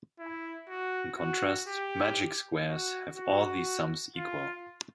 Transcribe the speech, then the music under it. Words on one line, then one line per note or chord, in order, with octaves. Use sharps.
In contrast, magic squares have all these sums equal.
E4
F#4
F#4
G4
F#4
F#4
F4